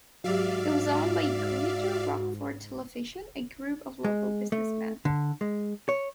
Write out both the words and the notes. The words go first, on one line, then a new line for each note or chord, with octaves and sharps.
It was owned by Greater Rockford Television, a group of local businessmen.
G#2 F#3 F#4 G4 D5 E5 F5
G#3
A3
D3
G#3
C#5